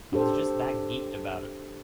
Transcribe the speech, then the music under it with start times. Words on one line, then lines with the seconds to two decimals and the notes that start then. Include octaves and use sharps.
I was just that geeked about it.
0.12 D4 G4 A4 C5